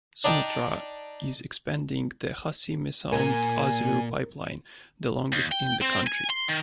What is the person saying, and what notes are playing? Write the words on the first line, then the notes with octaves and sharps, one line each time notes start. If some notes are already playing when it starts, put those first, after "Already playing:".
Sonatrach is expanding the Hassi Messaoud-Azrew pipeline, the longest in the country.
D4 D#4 D5 G5 A5
A#2 A#4 G#5
D#2
G5
C4
G#5
C6
D#3